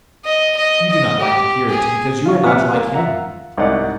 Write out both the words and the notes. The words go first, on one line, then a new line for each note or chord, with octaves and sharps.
You do not like to hear it because you are not like him.
D#5
D#5
D#5
G4
G#4
F4 C#6
C3 F3 B3 E5 F#5 F6
A#3
F4 E5 F#5 A#5
C2 G#2 D#4 D5 F#5